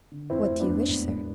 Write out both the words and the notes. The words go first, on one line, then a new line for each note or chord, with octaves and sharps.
"What do you wish, sir?"
D3
F2 C4 E4
F1
B3 D4
F1
E1
E1